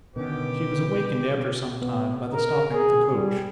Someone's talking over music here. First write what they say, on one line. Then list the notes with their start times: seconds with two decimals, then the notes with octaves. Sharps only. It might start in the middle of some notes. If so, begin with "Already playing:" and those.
She was awakened, after some time, by the stopping of the coach.
0.16 B2 D3 D#3 C#4 G4 B4
1.82 B3
2.33 A#4
2.72 G#4
3.10 G3